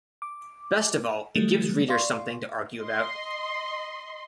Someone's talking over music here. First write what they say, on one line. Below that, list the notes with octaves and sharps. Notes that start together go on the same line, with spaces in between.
Best of all, it gives readers something to argue about.
D6
D#3 F#3 G3 A3
D5 F5 C6 C#6
D#5 C6